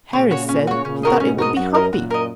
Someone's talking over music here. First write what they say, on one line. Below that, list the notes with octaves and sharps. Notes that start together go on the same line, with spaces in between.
Harris said he thought it would be humpy.
A#2 C#3 C#4
F#4 C#5
C#4
F#4 C#5
A#2 C#3 C#4
F#4 A#4 D#5
G#2 B2 C#4
F#4 A#4 D#5
F#2 F#4
A#4 D#5
F#2 A#2 F#4
A#4 D#5